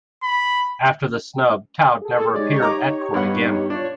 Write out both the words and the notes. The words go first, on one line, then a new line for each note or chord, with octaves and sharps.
After this snub, Taube never appeared at court again.
B5
G#4 A4
G#3 D#4 G4 C#5 D5
D#5 A#5 D6
G2 B3 F#5
D4 F4 C#5